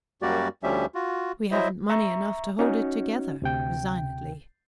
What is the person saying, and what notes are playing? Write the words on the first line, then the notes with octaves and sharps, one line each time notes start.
"We haven't money enough to hold it together," resignedly.
F#2 G3 A#3 F#4 G4 D5
D2 F3 G3 C#4 G4 E5
F4 F#4
F#3 E4 C5 D#5 E5
E5 A#5 C#6
C#4 D#4 F#4
D2 C3 G5